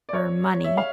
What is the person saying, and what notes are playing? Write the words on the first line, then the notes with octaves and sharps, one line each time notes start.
or money,
D5
C#5
E5
F5